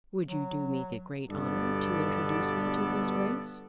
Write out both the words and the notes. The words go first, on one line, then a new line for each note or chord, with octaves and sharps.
"Would you do me the great honour to introduce me to his Grace?"
F#3
G1 G2 B2 B3 A4 D5